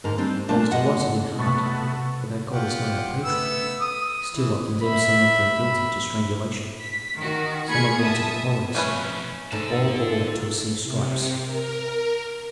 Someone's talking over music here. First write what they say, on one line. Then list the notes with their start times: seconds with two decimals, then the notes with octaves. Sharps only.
I was delighted in heart, for that god is not our patron; still I condemned some of the guilty to strangulation, some of them to the quarries, and all to receive stripes.
0.04 G#2 D3 A#4
0.18 G3 C4 D4
0.48 A#2 A3 D4 F4 C5 A5
0.72 G#3 D#5 F#5
1.39 C3 A3 B3 F#4 C#6 A6
2.51 F4 G4 F#5
3.25 A3 B3 E6
3.81 D#6
4.32 E3
4.83 E5 B5
6.81 B6
7.19 D#3 F#4
7.68 A#3 F4 G#4 B5 G#6 C#7
8.01 E5 A5 D#6
8.75 B1 F2 A3 C#4 B4 G#5
9.52 G#2 D3 A4 A5
10.82 C3
11.43 A#4